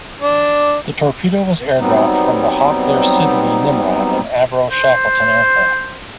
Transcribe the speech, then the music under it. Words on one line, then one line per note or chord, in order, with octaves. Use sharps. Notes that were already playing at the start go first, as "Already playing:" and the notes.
The torpedo was air dropped from the Hawker-Siddeley Nimrod and Avro Shackleton aircraft.
D4
F#3 G3 B3 C4 D#4
C5